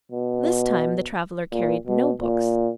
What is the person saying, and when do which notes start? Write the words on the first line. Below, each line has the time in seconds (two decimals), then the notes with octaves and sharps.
This time the traveller carried no books.
0.12 B2
1.52 A#2
1.87 B2
2.22 A#2